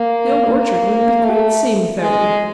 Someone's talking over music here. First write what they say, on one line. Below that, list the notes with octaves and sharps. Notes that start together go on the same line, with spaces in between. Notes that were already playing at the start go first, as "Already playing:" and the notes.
The Old Orchard wouldn't be quite the same without you.
Already playing: A#3
A#3
A3
G#3